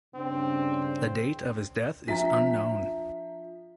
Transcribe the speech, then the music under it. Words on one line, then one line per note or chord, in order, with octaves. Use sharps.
The date of his death is unknown.
G2 C#3 C4 D4
F3 D4 E5 A#5 B6